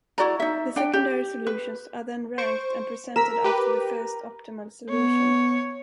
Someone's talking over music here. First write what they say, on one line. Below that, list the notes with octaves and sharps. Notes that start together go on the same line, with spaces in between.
The secondary solutions are then ranked and presented after the first optimal solution.
E4 F#4 D5 A#5
D#4 E5
D4 G5
G4
B4
C5 C#6 D7
A#4 E6 B6 E7
G4 B4
B3 C#5